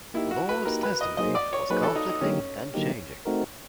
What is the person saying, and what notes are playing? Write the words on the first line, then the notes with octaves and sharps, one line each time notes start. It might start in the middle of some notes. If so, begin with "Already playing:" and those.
Lord's testimony was conflicting and changing.
A#3 D#4 E4 G4
F#4
B4
A#3 D#4 G4 A#4
B4
D#5
F#3 A#3 D#4 G#4 C5 D#5
D5
C#5
F#3 A#3 D#4 G#4 B4 C5
A4
D#4
D#4
D3 F#3 A#3 C#4 D#4 G4
D3 F#3 A#3 D#4 G4
A3 C4 D#4 F#4 A#4